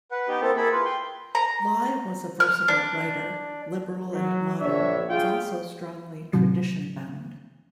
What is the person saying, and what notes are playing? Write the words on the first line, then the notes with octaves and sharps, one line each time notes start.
Lie was a versatile writer, liberal and modern, but also strongly tradition bound.
B4 F#5
B3 D#4 G4
A#3 C4 E4 A4
A#3 E4 G#4 A4 B5
F4 B4
G5 C6
A#5
F6
D4
F#3
A#1 D4 C#5 E5
F4 G#4 F5 G5
A2 C3 D#3 F#3